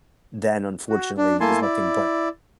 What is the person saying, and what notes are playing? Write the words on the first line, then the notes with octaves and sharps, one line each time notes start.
Then unfortunately, there's nothing but
F#4
D4
A3 A#3 E4 G#5 A5 C6
E4 D5